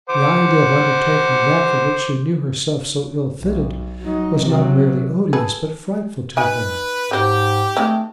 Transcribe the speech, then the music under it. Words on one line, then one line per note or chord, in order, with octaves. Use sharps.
The idea of undertaking that for which she knew herself so ill fitted was not merely odious but frightful to her.
C5 F#5 D6
B1
F#3 D#4
C3 F#3
G#4 A4 B4
D#4 B4 G#5
G#2 F#3 G4 C5
D#3 G#3 A3 C4